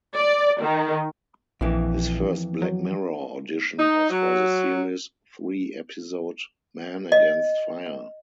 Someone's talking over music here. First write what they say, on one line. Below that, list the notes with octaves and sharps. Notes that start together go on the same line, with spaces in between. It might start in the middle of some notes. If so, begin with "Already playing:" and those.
His first "Black Mirror" audition was for the series three episode "Men Against Fire".
D5
D#3
A#1 F2 E3
F#3
D#4
F#3
D#5